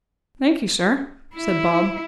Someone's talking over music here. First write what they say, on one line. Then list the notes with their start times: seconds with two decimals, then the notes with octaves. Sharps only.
'Thankee sir,' said Bob.
1.36 E4